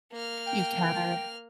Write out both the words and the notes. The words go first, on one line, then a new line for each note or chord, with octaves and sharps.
You kinda
A#3 F6
G5